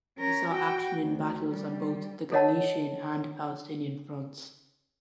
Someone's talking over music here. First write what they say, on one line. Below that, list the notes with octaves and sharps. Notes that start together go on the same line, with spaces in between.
He saw action in battles on both the Galician and Palestinian Fronts.
C#4 A#4
F#4 G5
D2
G3
A4 A#4 C#5 D#5 F#5 A5